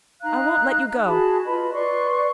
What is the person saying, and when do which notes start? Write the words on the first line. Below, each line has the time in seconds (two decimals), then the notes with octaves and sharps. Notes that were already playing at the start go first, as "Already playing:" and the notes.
I won't let you go!
0.22 D#4 F5 A#5 F#6
1.05 F#4 G#4 A5 B5
1.45 F4 B4 D#5 B5
1.73 B4 D5 C6 C#6